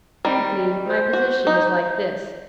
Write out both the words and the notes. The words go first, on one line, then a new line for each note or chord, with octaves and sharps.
Briefly, my position is like this.
D#3 G3
C5
F#4
D#4